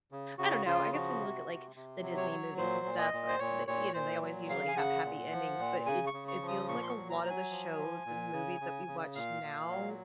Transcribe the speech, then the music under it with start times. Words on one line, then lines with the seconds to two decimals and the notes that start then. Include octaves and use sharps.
I don't know, I guess when you look at, like, the Disney movies and stuff, uh, the you know, they always usually have happy endings, but it it feels like a lotta the shows and movies that we watch now,
0.12 C#3
0.38 C#3 F#4
0.66 C#3 F4
0.93 F3 F#4
1.21 C3
1.48 C3
1.76 C3
2.02 F#3
2.17 C#5
2.31 F#3
2.58 A#2 C5
2.85 A#2
2.98 D#5
3.13 A#2
3.28 C5
3.39 A#2 C#5
3.68 A#2 C#5
3.94 A#2 C5
4.22 F#3
4.50 C#3 F5
4.68 G#5
4.76 C#3 F#5
5.04 A#2
5.32 F3
5.59 A#2
5.86 C#3 G#5
6.07 C#6
6.13 C#3
6.28 C#6
6.42 F3
6.48 D#6
6.68 A#2 C#6
6.83 C6
6.89 C#6
6.96 F#3
7.10 A#5
7.24 F#3
7.30 G#5
7.50 F3
7.77 F3
8.06 A#2
8.33 C#3
8.61 C#3
8.87 C#3
9.15 A#2 F5
9.43 A#2
9.70 F#3